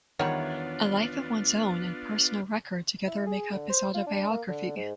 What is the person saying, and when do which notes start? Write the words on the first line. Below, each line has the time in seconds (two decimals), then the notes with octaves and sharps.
'A life of One's Own' and 'Personal Record' together make up his autobiography.
0.19 E2 D#3 G3 B3 D4 F4 C#5 F#5
3.07 E4
3.26 G#4
3.54 D3
3.69 C5
3.94 F4
4.07 D4
4.30 A#3
4.48 D3
4.76 G#2